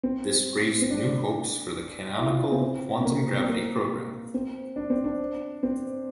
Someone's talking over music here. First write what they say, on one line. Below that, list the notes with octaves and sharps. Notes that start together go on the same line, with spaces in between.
This raised new hopes for the canonical quantum gravity programme.
C4
C4
D4
E4
F4
C4
C4
C4
A#3
C4
A#3
C4
D4
C4
D4
C4